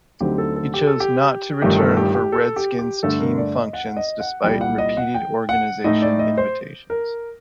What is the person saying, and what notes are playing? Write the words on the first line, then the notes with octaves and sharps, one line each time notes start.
He chose not to return for Redskins team functions, despite repeated organization invitations.
D2 D3 F#3 C4 D#4 G4
A4
A4
G4
A4
G4
G1 G2 D#3 A3 D#4 G4
A4
G4
G4
A4
G4
G4
G2 D3 A3 D4 A4
A#4
D5
D#5
F#5
F#5
D#5
F#5
C2 A#2 G3 G5
F#5
D#5
F#5
G5
F#5
A2 A3 D#4 D#5
D5
D#5
C5
A#4